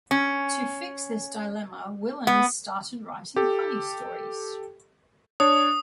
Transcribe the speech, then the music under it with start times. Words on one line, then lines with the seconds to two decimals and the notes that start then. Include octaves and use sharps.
To fix this dilemma Willems started writing funny stories.
0.11 C#4
2.27 B3
3.36 G4 A4
5.40 D4 C#5 D#6